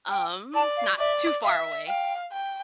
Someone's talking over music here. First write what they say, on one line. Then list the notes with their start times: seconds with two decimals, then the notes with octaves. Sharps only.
Um, not too far away.
0.11 G5
0.55 D5 A5
0.77 F5
0.99 D5 E5
1.43 E5 F5
1.87 F5 G5
2.32 G5